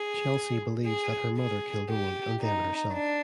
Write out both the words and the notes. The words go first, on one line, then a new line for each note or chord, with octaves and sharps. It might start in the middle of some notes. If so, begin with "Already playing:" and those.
Chelsea believes that her mother killed Owen and then herself.
Already playing: G#4
G#4
G#4
G4
D#4
D4